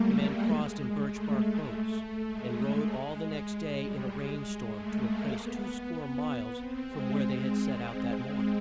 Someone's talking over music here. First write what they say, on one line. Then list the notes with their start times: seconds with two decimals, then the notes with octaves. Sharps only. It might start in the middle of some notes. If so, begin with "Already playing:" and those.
The men crossed in birch-bark boats, and rode all the next day in a rain storm to a place two-score miles from where they had set out that morn.
Already playing: G3 A3 A#3
0.13 G#3
1.06 A3
1.66 A3
2.27 G#3
3.50 G#3
3.81 G3
4.12 G#3
4.73 A3
5.04 A#3
5.34 B3
6.57 C4
6.88 G#3